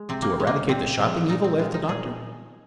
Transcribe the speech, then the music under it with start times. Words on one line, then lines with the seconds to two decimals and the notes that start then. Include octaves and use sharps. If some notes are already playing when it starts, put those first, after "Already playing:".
"To eradicate the shopping evil?" laughed the Doctor.
Already playing: G#3
0.09 C3 C4
0.22 A#3
0.40 G#3
0.47 A#3
0.69 A#2 C4
0.99 F3 G#3
1.29 A#2 D#4
1.44 C4
1.59 F3 G#3 F4
1.74 D#4
1.88 A#2 G#4